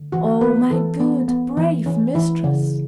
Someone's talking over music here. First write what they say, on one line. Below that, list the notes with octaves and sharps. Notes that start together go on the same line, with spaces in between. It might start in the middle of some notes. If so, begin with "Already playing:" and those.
O my good, brave mistress!
Already playing: D3
E3 F#4
B3 B4
E3 A4
B3
B3
E3
E3 C#4
E3 E4
C#3